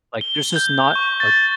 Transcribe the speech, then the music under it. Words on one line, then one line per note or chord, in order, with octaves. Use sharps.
Like there's just not a
G7
G6
C#6
A6